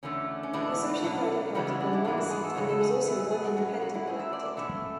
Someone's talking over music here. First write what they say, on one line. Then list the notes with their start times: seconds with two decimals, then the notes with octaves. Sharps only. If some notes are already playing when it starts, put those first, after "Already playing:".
The Social Credit Party won one seat, and there was also one Independent elected.
0.03 E2 D3 A3 C#4
0.43 C#4
0.53 A2 E3 G#3 B3 D4
1.04 B2 F#3 C#4
1.55 C#3 E3 G#3 B3 C#4
1.67 C#4
1.80 D4
1.93 E4
2.05 G#2 E3 G#3 B3 D4
2.18 F#4
2.30 G#4
2.43 A4
2.55 E2 C#3 F#3 A3 C#5
2.69 A4
2.81 G#4
2.93 G#4
3.06 A2 F#3 B3
3.19 G#4
3.31 G#4
3.44 F#4
3.56 B2 F#3 C#4 F#4
3.81 F#4
3.94 E4
4.07 G#2 F#3 A3 C#4 G#4
4.20 E5
4.33 D5
4.45 D5
4.57 B2 A3 C#4 E5